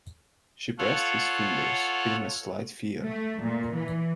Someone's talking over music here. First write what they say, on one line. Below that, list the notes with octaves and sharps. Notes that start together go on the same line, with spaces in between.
She pressed his fingers, feeling a slight fear.
F4 A4 C#5 F5 F#5
A3
A#2
E3